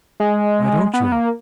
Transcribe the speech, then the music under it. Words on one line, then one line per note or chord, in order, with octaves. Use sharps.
"Why don't you?"
G#3
B3
A#3